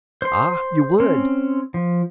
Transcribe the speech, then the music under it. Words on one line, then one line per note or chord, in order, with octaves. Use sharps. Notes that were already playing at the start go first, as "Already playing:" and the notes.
Ah, you would?
C5 C6
C4 C#4
F3